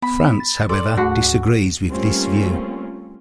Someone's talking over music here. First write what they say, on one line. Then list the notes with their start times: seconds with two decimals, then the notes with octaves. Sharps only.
France, however, disagrees with this view.
0.02 B3 B5
0.40 A6
0.69 A4 D5 C6
0.97 D2 G#2 A3 F#4
1.89 G3 A3 A#3 C4 C#4 F4